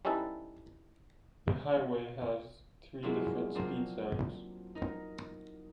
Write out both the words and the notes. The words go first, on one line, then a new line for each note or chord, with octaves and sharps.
The highway has three different speed zones.
G3 C#4 D#4 E4 A4 B4
F#3 G#3 A#3 D4 E4 F4
F#3 A#3 C4 D4 F4
D#4 A#4